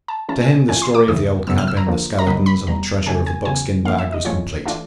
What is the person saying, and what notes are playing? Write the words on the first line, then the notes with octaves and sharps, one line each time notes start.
To him the story of the old cabin, the skeletons and the treasure of the buckskin bag was complete.
A5
E3 G#3 C#4 F4 A5
G#5
E3 G#3 C#4 F4 G#5
C6
D6
E2 C#3 E3 D#6
F#2 C#3 F#3 B3 E6
F6
E6
A#5
D3 F3 A#3
A#5
C#3 F#3 A#3 D#4 B5
B5
E2 B2 G3 A#5
C#3 F#3 A3 C#4 G#5
G#5
E2 C#3 F#3 G#5
F2 D3 F3 A#3 F5
E5
D#5
A2 F3 G#3 C#4 F4 C#5
E3 A3 D4 F4